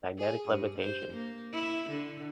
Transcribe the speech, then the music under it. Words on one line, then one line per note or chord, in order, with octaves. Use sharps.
Magnetic levitation.
G#4
G2
C5
A#3
E4
D3